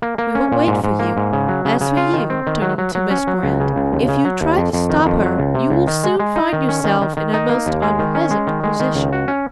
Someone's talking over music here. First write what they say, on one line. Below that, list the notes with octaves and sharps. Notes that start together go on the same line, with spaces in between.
We will wait for you. As for you," turning to Miss Brant, "if you try to stop her, you will soon find yourself in a most unpleasant position.
A#3
A#3
C#4
A#2
G#2
G#2
A#3
G#2
C#3
F#3
C#3
C#3
F4
D#3
C4
D#3
F#3
F#3
F#3
C#4
F#3
C#2
C#3
C#2
D#2
C#3
F#3
D#2
F2
F2
D#3
F2
F#3
C#2
C3
C#2
D#3
G#3
G#3
D#4
D#3
C#4
D#3
D#3
D#3
D#4
A#3
D#2
G#3
D#3
C#4
G#3
D#3
G#3
D#3
C#2
F#4
C#4